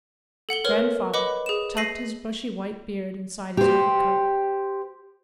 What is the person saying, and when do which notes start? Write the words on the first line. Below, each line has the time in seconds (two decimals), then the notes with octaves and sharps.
Grandfather tucked his bushy white beard inside his overcoat.
0.49 A4 F#5 F#7 G7
0.64 A#4 B4 C#5 F6 G7
1.13 B4 D#5 F#5 B5 D6
1.46 G#4 E7
1.77 A#6 C7 D#7 F#7
3.57 G4 C5